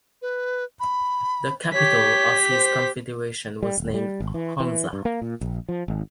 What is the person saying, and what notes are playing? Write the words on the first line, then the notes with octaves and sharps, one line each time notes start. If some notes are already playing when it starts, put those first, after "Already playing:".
The capital of his confederation was named "Hunza".
B4
B5
G4 C#5 B6
C5
G3
D#1
G3
G#1
E3
E3
G2
A#3
A#2
A#1
F3
G#1